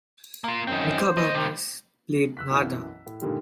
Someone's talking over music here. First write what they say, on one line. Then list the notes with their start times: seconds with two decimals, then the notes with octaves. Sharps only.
Mica Bernas played Narda.
0.44 A#3 F4
0.67 F#2 C4 D#4
1.00 C5
1.17 D#2 D#5
1.34 C3 G3
2.37 E6 F#6 B6
2.51 B1 F#2 E3
3.06 A2
3.21 G2 A#2 D3 D#3 G3 G#3